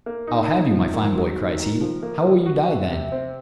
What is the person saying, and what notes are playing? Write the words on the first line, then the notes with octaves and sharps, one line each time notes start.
"I'll have you, my fine boy," cries he; "how will you die, then?"
A#3
D#4
D#4
F3
D#3
F#3
D#3
D#3
F3
A#3
F3
F#4
C3
C3
C4